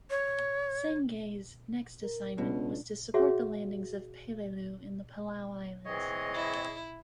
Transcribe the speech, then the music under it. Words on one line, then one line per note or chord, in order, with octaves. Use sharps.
"Sangay's" next assignment was to support the landings on Peleliu in the Palau Islands.
C#5
A#4
C#2 B2 D4
F#4 G#4 C#5 E5 F#5
E3 C4 G#4 C#5 D#5
E4